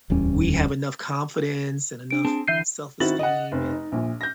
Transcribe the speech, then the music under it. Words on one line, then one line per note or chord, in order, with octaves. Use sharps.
we have enough confidence, and enough self-esteem, and
D1 E2 G3 C#4
D4 D7
C4 G#4 A5
D3 E3 E5 G6 C7 D#7
D#3 C4 E4 F#4 A6 F#7
D#5 F#5
F1 C4
D#4
A#1 A#2
G6 A#6